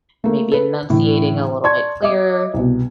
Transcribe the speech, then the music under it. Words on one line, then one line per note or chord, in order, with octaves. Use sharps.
maybe enunciating a little bit clearer,
A3 A#3
A4 B4
A2 D3 E3
D5 A5 C6 C#6 G#6
D#5 E5 D6
C2 B2